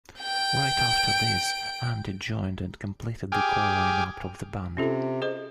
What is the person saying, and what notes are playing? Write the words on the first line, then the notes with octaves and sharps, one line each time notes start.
Right after this Andy joined and completed the core lineup of the band.
G5 D7
G4 G#4 G5 G#5 D6 F6
C3 C#4 F4 A4
G#4 C5 D#5